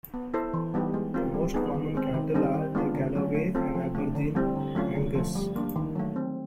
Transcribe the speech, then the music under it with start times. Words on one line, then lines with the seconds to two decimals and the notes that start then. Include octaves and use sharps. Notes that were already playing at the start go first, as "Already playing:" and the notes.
The most common cattle are the Galloway and Aberdeen Angus.
0.14 B3
0.34 E4 A4 C5
0.53 E3
0.74 G3 B3 D#4 G4
0.94 G#3
1.14 C4 F4 A#4
1.34 G3
1.54 B3 D#4 G#4
1.74 D#3
1.95 G#3 C4
2.14 D#3
2.34 G3 C4 D#4
2.54 D#3
2.75 G#3 B3 D4 F4
2.94 D3
3.15 F#3 A3 C#4
3.35 A3
3.55 C4 F4 A4
3.75 F3
3.95 A3 D4
4.15 D3
4.35 G3 C4 E4
4.55 D3
4.75 F#3 A3 C#4 F4
4.95 D3
5.15 F3 A3
5.35 G3
5.56 A#3 D4
5.76 D#3
5.95 F#3 A3
6.16 C4